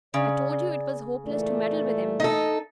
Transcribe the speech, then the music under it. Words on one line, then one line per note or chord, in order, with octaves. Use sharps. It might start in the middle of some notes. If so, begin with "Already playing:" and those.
'I told you it was hopeless to meddle with him.
C#3 D5
A#2 E3 A3 D5
D#4 A4 D#5